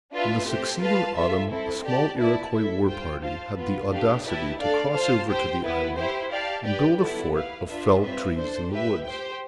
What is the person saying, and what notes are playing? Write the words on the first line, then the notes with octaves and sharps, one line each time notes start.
In the succeeding autumn a small Iroquois war-party had the audacity to cross over to the island, and build a fort of felled trees in the woods.
D4 F4 B4 E5
A3 C4 G4 C5
F4 B4 F5 A5
F4 A4 E5
C4 E4 A4
G4 D5 A5
E4 B4 D5 A5
E4 A4 E5
F4 C5 G5
F4 C5 F5 A5
B3 F4 B4
A3 D4 G4 B4 F5
E4 G4 B4 E5 A5
A3 D4 A4 D5 F5
F4 C5 F5 A5
G4 C5 G5
B3 E4 B4
E4 G4 C5
G4 D5 F5 A5
G4 B4 D5 G5
B3 E4 A4 D5
E4 B4 F5
D4 F4 B4 E5
C4 F4 B4 E5
D4 A4 C5
G4 B4 E5
G4 C5 G5